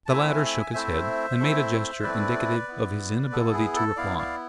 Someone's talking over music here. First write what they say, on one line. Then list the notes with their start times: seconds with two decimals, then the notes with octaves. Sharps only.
The latter shook his head, and made a gesture indicative of his inability to reply.
0.06 A5
0.10 A3 C4 E4 E5 G#5
0.74 A3 C4 E4 C5 E5
1.40 A3 C4 E4
2.03 A3 C4 E4 B4 D5
2.68 B3 E4
3.32 B3 E4 A4
3.53 G#4
3.75 A4
3.96 B3 E4 D5 F5
4.19 D5 F5